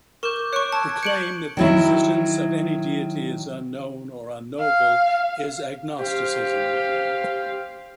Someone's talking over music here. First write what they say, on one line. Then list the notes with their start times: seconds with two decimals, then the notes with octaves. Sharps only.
The claim that the existence of any deity is unknown or unknowable is agnosticism.
0.23 A#4 C#6 D6 G6 E7
0.53 C#5 C#6 F#6 C#7 D7
0.72 A5 E6 G#6
1.03 C#6 G6 C#7 D7 F#7
1.57 D#3 F#3 E4
4.59 F5
6.00 G4 C5 F5